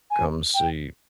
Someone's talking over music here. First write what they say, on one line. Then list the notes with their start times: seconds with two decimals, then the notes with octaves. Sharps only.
come see
0.10 G#5
0.54 G5